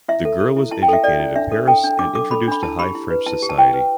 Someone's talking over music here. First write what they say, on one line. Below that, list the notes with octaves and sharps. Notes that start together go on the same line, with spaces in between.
The girl was educated in Paris and introduced to high French society.
E4 E5
A4
A4
E4
E4 A5
G5
A4 E5
A4 D5
E4
D4 E5
A4
A4 G5
D4
D4 D6
A4 D6
A4 B5
D4 B5
E4 A5
G4 B5
E4
B4
E4 A5
G4
A5
E4 G5
B4